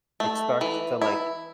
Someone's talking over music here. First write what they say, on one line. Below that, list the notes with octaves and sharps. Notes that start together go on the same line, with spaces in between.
it's starts to, like,
A3
E3
E4